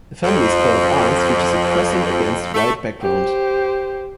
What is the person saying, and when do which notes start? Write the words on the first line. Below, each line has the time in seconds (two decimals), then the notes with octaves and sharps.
The family’s coat of arms features a crescent against white background.
0.24 F2
2.53 A3
3.02 G4 C5